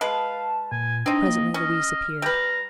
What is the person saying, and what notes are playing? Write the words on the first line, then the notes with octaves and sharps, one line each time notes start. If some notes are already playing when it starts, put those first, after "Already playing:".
Presently Louise appeared.
G#3 B4 F5 A5
A#2 G#5
C4 D4 D#4 D#5
A#3
C#4 D#5 F6
G3 B4 A#5